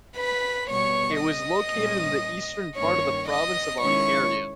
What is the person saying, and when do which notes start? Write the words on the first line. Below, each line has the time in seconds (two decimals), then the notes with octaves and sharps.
It was located in the eastern part of the province of Ontario.
0.16 B4 B5
0.69 B2 G3 B3 C#5 C#6
1.20 D#5 D#6
1.73 A#2 G3 C#4
2.76 G2 D#3 A#3 C#4 C#5 C#6
3.28 D#5 D#6
3.80 D#3 G#3 C#4 E4 C#5 C#6